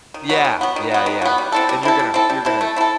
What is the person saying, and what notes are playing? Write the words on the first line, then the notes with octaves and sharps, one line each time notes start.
Yeah, yeah, yeah, and you're gonna you're gonna
D#3
F#3 B3
D#3
F#3 B3
D#3
F#3 B3
D#3
F#3 B3
G3
C4 E4 A4
G3
C4 E4 A4
G3
C4 E4 A4
G3
C4 E4 A4
A3
C4 E4 A4